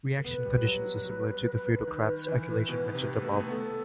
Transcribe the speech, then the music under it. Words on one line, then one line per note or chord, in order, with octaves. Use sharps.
Reaction conditions are similar to the Friedel-Crafts alkylation mentioned above.
A4
B3 B4
G3
F#3
F#3
F#3
D#3
E3
B2
C3
A3
B3
A3
B3 A4